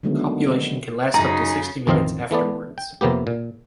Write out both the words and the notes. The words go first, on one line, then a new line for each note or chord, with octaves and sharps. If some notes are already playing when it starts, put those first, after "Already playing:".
Copulation can last up to sixty minutes afterwards.
D3 D#3 F#3 G#3 A3 B3
F#2 C#3 D#4 G#4 A#5
A1 F2 D#3 C4 D#5 F5
E3 A3 B3 D5
G5
F2 C3 A#3 B3 G4
A#2